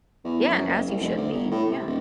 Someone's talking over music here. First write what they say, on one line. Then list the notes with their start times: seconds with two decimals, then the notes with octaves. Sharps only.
Yeah, and as you should be, yeah.
0.24 E2
0.47 F#2
0.67 F#1
0.88 C2
1.01 F1
1.17 D2
1.33 G1
1.51 A2
1.69 C3
1.87 D#1